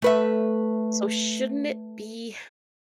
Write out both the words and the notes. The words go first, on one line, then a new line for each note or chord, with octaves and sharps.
So shouldn't it be
A3 B4 E5